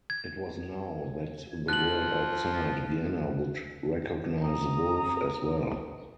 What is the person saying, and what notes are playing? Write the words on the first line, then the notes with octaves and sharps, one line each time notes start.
It was now that the world outside Vienna would recognize Wolf as well.
G#6
F3 F#6 F#7
A#5 D#6